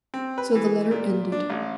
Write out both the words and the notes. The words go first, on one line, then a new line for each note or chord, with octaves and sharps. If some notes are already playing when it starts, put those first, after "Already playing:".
So the letter ended.
C4
B4
E3
A#2
D4
A1